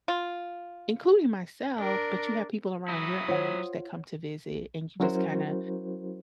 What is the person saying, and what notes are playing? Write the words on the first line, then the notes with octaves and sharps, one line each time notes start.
including myself, but you have people around your age that come to visit, and you just kinda
F4
D4 A#4
F#3 E4 D#6
F4 C5 C#5 F#5
F#3 C#4 E4 F#4 A#4 C5